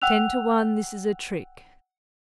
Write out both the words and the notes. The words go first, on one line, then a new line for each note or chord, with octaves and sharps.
"Ten to one this is a trick."
F#5 G5 E6 F#6 F7